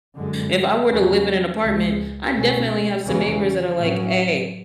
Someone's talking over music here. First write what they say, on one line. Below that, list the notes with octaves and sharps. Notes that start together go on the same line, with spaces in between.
if I were to live in an apartment, I'd definitely have some neighbors that are like, "Ay.
F#2 D3 G#3
E2 C#3 F#3 C#4
C#2 C#3 G#3
B2 A3 C#4
E2 C#3 E3 G#3 C#4
A2 F#3 C#4